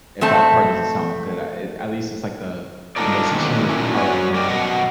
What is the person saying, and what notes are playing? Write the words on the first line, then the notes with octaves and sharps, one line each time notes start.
if that part doesn't sound good, I, eh, at least it's, like, the the most truest part of me,
F2 A3 C4 A5
D4 D#4 F4 A4 A#4 D5
B2 D3 D#3 F#3 A#3 C#4
A#2 F3 F#3 A3 C#4 E4
F#2 F#4 C#5 G#5
G4 A#4 D5 D#5 G5
F#2 B2 D#5 F#5